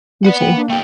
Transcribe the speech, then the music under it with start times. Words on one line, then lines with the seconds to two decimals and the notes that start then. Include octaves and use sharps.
You too.
0.24 B3 D5 F#5
0.39 A#3 G5
0.56 D4
0.70 A3 D#4 G5